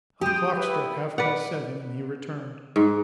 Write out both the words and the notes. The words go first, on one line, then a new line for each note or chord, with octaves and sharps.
A clock struck half-past seven, and he returned.
G#3 G4 G5 D#6
E4 B4 G5
B4 D5 F#5
G#2